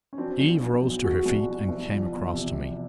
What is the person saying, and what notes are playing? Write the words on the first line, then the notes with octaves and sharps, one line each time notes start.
Eve rose to her feet and came across to me.
C#4
F#3 C4 D4
B1
B2
B1
F#3 F#4 G#4
C2
B2
C2
F3
E2
C3
E2